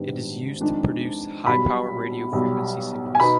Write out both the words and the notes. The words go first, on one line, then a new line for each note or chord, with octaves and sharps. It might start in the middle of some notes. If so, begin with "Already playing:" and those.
It is used to produce high-power radio frequency signals.
Already playing: G#1 G#2 G3 B3 D4
F2 D#3 G#3 D4
B1 B2 G3 B5
B1 B2 G3
G#5
B2 B3 D#4 B5